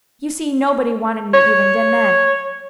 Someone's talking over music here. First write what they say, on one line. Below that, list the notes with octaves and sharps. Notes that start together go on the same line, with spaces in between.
You see, nobody wanted me even then.
C#5